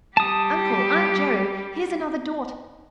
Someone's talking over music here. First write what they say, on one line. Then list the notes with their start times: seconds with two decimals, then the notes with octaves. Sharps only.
'Uncle, Aunt Jo, here's another daughter!
0.17 G3 G4 A5 D#6